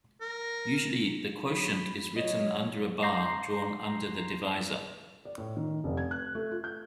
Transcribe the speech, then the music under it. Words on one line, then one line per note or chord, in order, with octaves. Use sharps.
Usually the quotient is written under a bar drawn under the divisor.
A#4
F#3 B5
F#3 C#5 D#5
A#5 C6 G6 A#6 C7
D5
A2
D#3
F1
G#6
F#6
A3
F4
G6